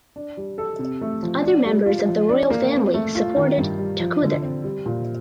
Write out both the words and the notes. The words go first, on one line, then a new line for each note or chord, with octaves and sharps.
Other members of the royal family supported Tekuder.
D4
G3
A4
C3
A3
F3
D4
G3
F4
F3
D4
A#3
C4
A3
F4
D#3
G2
G3
F3
D3
C4
G3
A#2